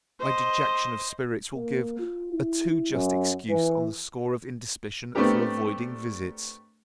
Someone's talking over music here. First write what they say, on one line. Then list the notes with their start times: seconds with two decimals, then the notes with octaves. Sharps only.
My dejection of spirits will give a too just excuse on the score of indisposition for avoiding visits.
0.19 C5 D#5
1.55 A#3
1.99 F4
2.33 E4
2.90 F#2
3.49 E3
5.15 A3 B3 C4 D4 G4 A#4